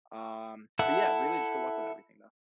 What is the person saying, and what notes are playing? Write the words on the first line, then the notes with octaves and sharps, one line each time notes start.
um, but, yeah, really, just good luck with everything, though.
E4 A4 E5 F#5